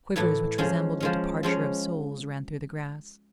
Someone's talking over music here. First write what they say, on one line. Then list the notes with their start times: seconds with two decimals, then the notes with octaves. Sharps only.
Quivers which resembled the departure of souls ran through the grass.
0.16 A2 E3 A3
0.58 F3 G#3 C#4
1.00 F3 G#3 C#4
1.43 F3 G#3 C#4